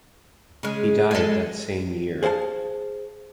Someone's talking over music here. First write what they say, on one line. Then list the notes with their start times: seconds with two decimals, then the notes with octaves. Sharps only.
He died that same year.
0.63 C#3 G#3
1.11 G#3 A4
2.23 G#4 C5 F5 F#5 A5